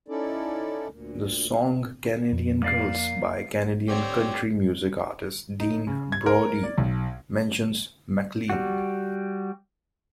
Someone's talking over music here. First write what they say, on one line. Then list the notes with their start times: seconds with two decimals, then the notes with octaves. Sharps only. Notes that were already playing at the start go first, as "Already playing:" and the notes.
The song "Canadian Girls" by Canadian country music artist Dean Brody mentions MacLean.
0.08 C#4 D#4 E4 A4 D5
0.89 D2 A#2
2.32 F2
2.62 A#3 D5 F5
3.88 C4 G4 A4 C#5 D5
5.60 D#4
5.87 C#3
6.12 G#6
6.26 A#4
6.63 D5
6.78 B1
8.50 G3 F#4